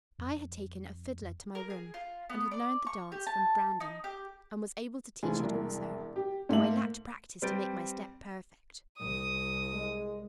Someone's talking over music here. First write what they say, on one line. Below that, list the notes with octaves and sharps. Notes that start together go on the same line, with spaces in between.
I had taken a fiddler to my room and had learned the dance from Brandon; and was able to teach it also, though I lacked practice to make my step perfect.
F2
A#4
G#4
F4
B3
D5
C#6
G4
A5
D#4
G4
F1 E3 F3 G#4 G#5
E1 C2
G4
G#2 A3 A#3 E5 F#7
G3 C4 B4 G6 A6 D7
C2 D#6
G#3